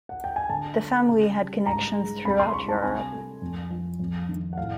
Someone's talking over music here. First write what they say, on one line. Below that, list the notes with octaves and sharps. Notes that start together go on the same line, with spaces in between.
The family had connections throughout Europe.
F#5
G5
G#5
D3 A5
A3
C#3
G3
G#2 A#5
G#3
C3 B5
C6
G3 C#6
A5
C3 G#5
A3
F2
F3
F2
D#3
F#5
A2 F5